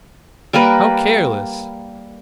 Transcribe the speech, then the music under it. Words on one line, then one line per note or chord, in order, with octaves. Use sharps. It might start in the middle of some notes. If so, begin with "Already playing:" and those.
How careless!
G3 A#3 A#4 B4